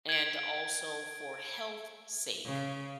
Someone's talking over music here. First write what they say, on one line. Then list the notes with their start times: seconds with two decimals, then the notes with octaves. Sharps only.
and also for health sake
0.09 G#6 D7
2.45 C#3